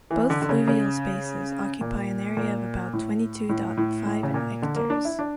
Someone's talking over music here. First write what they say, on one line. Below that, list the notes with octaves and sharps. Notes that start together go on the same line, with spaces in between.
Both fluvial spaces occupy an area of about twenty-two dot five hectares.
E3
D3
D3
C#3
C#3
A#2
A#2
A2
A2
A2
A2
C#3
A#2
D3
A#3
D4
E4
D4